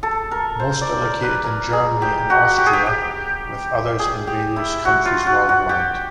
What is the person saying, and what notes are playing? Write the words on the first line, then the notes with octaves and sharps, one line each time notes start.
Most are located in Germany and Austria, with others in various countries worldwide.
A4
A#4
C5
D5
A#4
B4
A#4
G#4
G4
F#4
G4
G#4
G4
G4
G#4
G4
E4
F#4
F4
F#4
F#4
G4